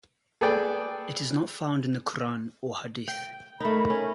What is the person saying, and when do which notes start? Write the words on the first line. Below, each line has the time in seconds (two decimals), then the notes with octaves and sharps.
It is not found in the Quran or Hadith.
0.41 G#4 A4 B4 D5 G5
3.08 G5
3.60 A3 D#4 A#4 B5
3.90 C#4